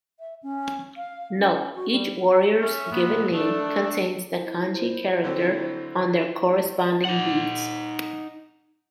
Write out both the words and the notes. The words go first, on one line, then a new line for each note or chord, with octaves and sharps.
Note: each warrior's "given name" contains the kanji character on their corresponding bead.
E5
C#4
F5
C#4
F#4
G3
C#4 E5
A#2 B3
A3 D4 A4
E4 C5
D3 F#3 C4
D#4 F#5